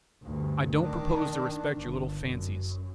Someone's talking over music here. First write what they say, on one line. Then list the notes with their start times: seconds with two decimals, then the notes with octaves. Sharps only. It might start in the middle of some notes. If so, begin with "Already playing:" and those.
I don't propose to respect your little fancies.
0.23 D2 G2
0.78 D#3 D4
1.77 G1
2.20 F#2